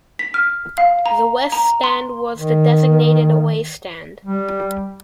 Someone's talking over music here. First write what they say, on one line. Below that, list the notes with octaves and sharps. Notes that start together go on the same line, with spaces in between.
The West Stand was the designated away stand.
B6
F6
F5
A#5
A#5
C6
D#3
G3